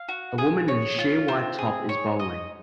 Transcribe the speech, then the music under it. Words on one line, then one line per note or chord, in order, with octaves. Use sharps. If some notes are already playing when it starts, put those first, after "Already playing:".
A woman in a sheer white top is bowling.
Already playing: F5
F#4
G#4
C#5
F4
C4
G#4
C#5
D#5